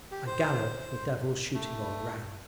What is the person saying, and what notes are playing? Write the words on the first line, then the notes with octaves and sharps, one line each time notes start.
I gallop, the devils shooting all around.
G4
C5
A3